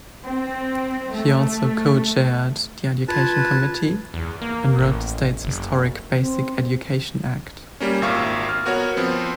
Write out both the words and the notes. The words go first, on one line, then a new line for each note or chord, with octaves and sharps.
He also co-chaired the Education Committee and wrote the state's historic Basic Education Act.
C4
A3
F4 B4 A5 G#6
E2
A#3
A1
F#1
C4
G3 A#3 C#4
G#1 A#2 E5 F5 C#6
F6
B3 F#4 A#4 C#5 F#5
F3 B3 C4